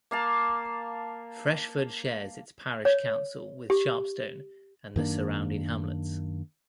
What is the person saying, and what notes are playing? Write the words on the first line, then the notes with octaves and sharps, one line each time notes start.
Freshford shares its parish council with Sharpstone and the surrounding hamlets.
A#3 F5 A5
C#5
G4
F#2 D#3 A#3 D4